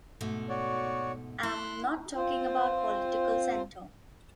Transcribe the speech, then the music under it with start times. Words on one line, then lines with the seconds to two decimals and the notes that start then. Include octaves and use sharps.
I'm not talking about political center.
0.21 G#2 B2 A3
0.49 F#4 C#5 D5
1.43 E4 C6 F#6
2.15 C4 F4 C5